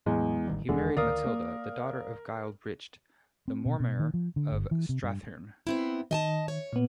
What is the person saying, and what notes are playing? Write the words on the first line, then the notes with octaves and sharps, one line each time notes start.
He married Matilda, the daughter of Gille Brigte, the mormaer of Strathearn.
E2 A2 F#3 G#3
A1 D#3 G3
D#1 E2 D3 E3 G#3
D2 D#3 A#4 D5 F5 D#6
A#3
C4
B2
B2
D#3
F3
D3
G1
E3
C3
G2
B3 C4 E4
D#3 D#5 G#5 A5
C#5
A#2 B3